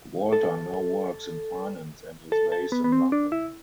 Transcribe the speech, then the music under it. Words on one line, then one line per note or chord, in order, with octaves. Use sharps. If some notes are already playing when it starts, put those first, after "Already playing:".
Walter now works in finance and is based in London.
A4
A4
A4
B3
B3
C4
D4
E4